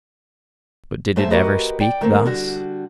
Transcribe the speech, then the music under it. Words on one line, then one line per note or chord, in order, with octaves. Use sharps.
But did it ever speak thus?
G#2 A3 C5 E5 A5
F#4 G4 A#4 B4 D#5
D5 G5
D#3 A3 A#3 C4
D3 G3 F#4